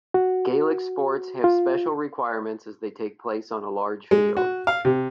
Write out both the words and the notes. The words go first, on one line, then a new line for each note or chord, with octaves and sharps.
Gaelic sports have special requirements as they take place on a large field.
F#4
F4
G#3
F#4
F5
C3